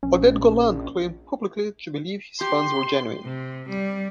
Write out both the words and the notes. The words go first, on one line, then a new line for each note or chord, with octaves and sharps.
Oded Golan claimed publicly to believe his finds were genuine.
A#1 C#4
G4 C6
C3
G3